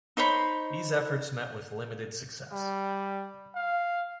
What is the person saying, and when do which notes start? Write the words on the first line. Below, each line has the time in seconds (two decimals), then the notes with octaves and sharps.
These efforts met with limited success.
0.17 D#4 C5 C#5 B5
2.52 G3
3.55 F5